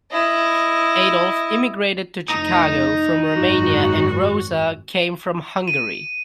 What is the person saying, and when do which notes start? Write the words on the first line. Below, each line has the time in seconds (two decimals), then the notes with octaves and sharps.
Adolph immigrated to Chicago from Romania and Rosa came from Hungary.
0.12 E4 D#5
2.30 F1 D#4
3.33 G#1 F#2 F#4
5.68 D#7